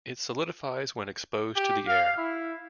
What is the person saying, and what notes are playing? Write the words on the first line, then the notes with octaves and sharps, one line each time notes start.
It solidifies when exposed to the air.
G4
F5
E4